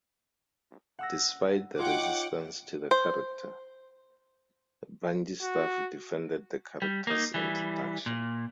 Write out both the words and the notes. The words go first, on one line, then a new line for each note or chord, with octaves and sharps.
Despite the resistance to the character, Bungie staff defended the character's introduction.
F#5 E6 A#6
D#4 F4 C#5 F#5 G5 D6
C5
F#4
G3
A#3 D#4
E3 G3
A#2